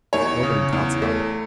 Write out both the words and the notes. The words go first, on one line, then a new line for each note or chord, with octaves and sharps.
Nobody doubts about it.
E2 C#5
C#3
E2
A3